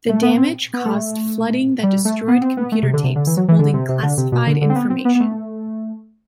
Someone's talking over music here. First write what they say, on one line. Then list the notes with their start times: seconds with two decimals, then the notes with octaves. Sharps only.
The damage caused flooding that destroyed computer tapes holding classified information.
0.09 A3
0.22 B3
0.37 C4
0.74 B3
0.85 A3
1.83 G3
2.05 A3
2.28 B3
2.42 C4
2.57 B3
2.72 A3
2.83 C3
2.93 D3
3.04 C3
3.16 D3
3.27 E3
3.37 F#3
3.48 E3
3.59 D3
3.74 C3
3.89 C3
4.02 D3
4.17 C3
4.32 B2
4.47 D3
4.61 D3
4.70 C4
4.75 B3
4.90 C4
5.05 B3
5.15 B3
5.20 A3